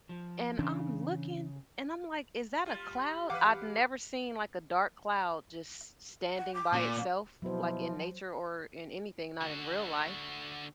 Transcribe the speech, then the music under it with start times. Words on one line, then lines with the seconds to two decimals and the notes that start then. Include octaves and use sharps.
and I'm looking and I'm, like, "Is that a cloud?" I've never seen, like, a dark cloud just s standing by itself, like, in nature or in anything, not in real life.
0.09 F3
0.59 C#3 E3 C#4 D4
2.66 G3 F4
3.30 E3 G4 B4 F5 F#5 D6
6.37 F#5
6.54 D6
6.73 A#2
7.42 B2 F3 F#3 E4 C5
9.41 D3 F#4